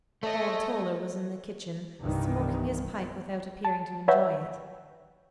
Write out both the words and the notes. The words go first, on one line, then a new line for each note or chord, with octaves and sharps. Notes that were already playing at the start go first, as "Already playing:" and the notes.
Old Toller was in the kitchen, smoking his pipe without appearing to enjoy it.
A3 A4 C#5 D#5
C2 G2 C3 D#3 E3
A5
B4 C#5 E5 F#5 G5 A#5